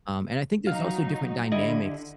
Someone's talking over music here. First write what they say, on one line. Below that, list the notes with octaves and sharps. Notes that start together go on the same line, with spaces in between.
um, and I think there's also different dynamics,
F#3 D#4 F5
D3 G3 E4 D#5